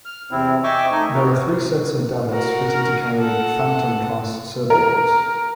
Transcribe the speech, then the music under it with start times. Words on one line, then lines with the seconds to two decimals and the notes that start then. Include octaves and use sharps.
There are three sets of davits fitted to carry "Fantome"-class survey boats.
0.05 F6
0.31 E2 C3 C4 E4
0.64 D#5 E5 G5 G#5 C#6 D6
0.92 A3 D#4 D#5 G#5
1.13 B3 F#4 A#4
2.31 F#4 A#4
3.17 A4 F#5
4.70 A#4